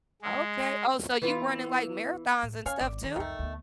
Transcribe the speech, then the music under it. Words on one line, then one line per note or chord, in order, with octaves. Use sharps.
Okay. Oh, so you running, like, marathons and stuff too?
G#3
E3 B3 F4
A2
C#4 C#5 F5 G#5
G#1 D5
D#3 C#5
C2 F2 D#3 A3
D2 B3